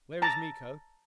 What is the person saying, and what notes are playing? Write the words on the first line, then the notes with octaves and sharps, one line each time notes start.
"Where is Miko?"
A5 A#5